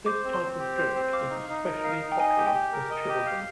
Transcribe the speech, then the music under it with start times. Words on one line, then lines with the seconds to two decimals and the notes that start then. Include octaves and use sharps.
This type of joke is especially popular with children.
0.06 C5 D6
0.24 C4
0.33 C6
0.43 C4
0.59 G4
0.77 C5
0.95 C4
1.13 F5 D6
1.30 D#4
1.49 D#4
1.66 A#4
1.84 F5
2.01 D#4
2.12 G5
2.19 D#5 G#5
2.36 G4
2.46 G5
2.54 G4
2.73 A#4
2.90 D#5
3.08 G4
3.26 F5